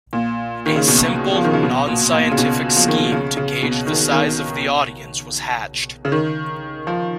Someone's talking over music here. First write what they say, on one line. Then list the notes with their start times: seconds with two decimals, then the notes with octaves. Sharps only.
A simple, non-scientific scheme to gauge the size of the audience was hatched.
0.13 A#2
0.66 D#3
0.76 C#3
0.88 B2
1.36 F3
1.44 D#3
1.53 C#3
1.63 B2
1.87 A#2
2.12 A#2
2.31 C#3
2.38 B2
2.77 F3
2.88 D#3
3.12 C#3
3.37 C#3
3.63 B2
3.87 D#3
4.12 D#3
6.05 C#3
6.12 D#3
6.87 F3